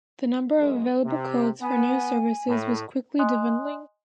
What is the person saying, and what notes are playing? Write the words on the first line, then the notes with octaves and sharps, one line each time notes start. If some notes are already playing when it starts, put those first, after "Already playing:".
The number of available codes for new services was quickly dwindling.
F#2 G#3
C3
B3 G#5
A2
D#5 G#5 C6 D#6 F#6